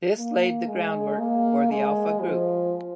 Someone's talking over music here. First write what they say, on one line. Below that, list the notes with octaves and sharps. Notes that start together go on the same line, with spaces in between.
This laid the groundwork for the Alpha Group.
A#3
G#3
A#3
G#3
F3